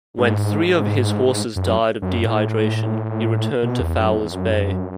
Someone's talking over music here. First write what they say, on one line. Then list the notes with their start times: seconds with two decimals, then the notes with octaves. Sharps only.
When three of his horses died of dehydration, he returned to Fowler's Bay.
0.18 G#2
1.56 F#2
2.02 F#2
2.25 A2
3.63 B2
3.80 E2
3.97 F#2
4.15 E2
4.31 F#2